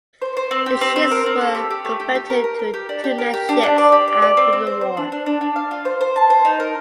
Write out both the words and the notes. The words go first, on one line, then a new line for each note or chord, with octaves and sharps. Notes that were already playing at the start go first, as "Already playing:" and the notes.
The ships were converted to tuna ships after the war.
C5
C5
C4
G4
C4
C4
A#4
C4
A3
G4
G4
A3
G4
G4
A#4
A#4
A#4
G4
D4
G4
A#4
G4
D4
D4
D5
G4
D5
D5
C4
C4
C5
C5
D4
D4
D4
D4
F5
F4
C5
C5
A5
C5
D#4
A#4